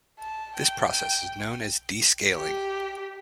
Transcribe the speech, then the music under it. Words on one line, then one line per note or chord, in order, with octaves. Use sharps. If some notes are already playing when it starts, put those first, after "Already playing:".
This process is known as descaling.
A5
G5
G5
G4